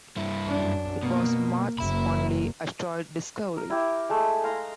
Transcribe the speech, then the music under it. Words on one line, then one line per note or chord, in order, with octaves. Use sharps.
It was Marth's only asteroid discovery.
G2 E4
F#2 D4
B2 A#3
F#1 A#3 E5 B5
A#4
E4 G4
G#3 A3
F5 A#5 C6